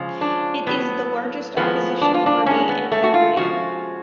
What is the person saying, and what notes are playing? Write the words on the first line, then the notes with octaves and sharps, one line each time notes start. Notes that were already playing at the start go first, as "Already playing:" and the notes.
It is the largest opposition party in Cambodia.
Already playing: C#3 F3 G#3
D4
A2 F#3 B3
A2 F3 G#3 B3
D4
F4
D4
A2 G#3 C#4
B3
A3
F#4
F4
C#3 F3 G#3 F#4